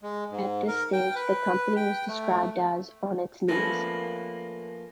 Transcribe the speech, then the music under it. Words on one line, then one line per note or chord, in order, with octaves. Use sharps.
At this stage, the company was described as: "on its knees".
G#3
G#2
A#4
G5
B4
G5
A3
F3 A3 A#3 C#4 B4 A#6